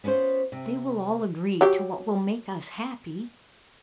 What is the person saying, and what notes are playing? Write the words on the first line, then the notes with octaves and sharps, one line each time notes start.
"They will all agree to what will make us happy."
B3 C#4 F4 B4 C5
C3
F#3 G4 G5